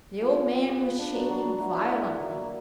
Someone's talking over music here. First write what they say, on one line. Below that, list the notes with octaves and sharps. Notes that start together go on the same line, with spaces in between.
The old man was shaking violently.
F4 G#4
F4
F4
B3 G4
F4
D4
F#3 F#4
F#3
F#3
E4 F#4
E4
E4
A#3
F#3
A#3